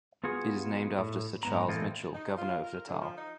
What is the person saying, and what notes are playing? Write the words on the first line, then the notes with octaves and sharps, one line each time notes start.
It is named after Sir Charles Mitchell, governor of Natal.
B3 F4 F#4 G#4
A2
G#2 B3 A#5
A2 E3 A#3 C4 A4 D#5
D#4
F4
A#4
D3
F3
D#4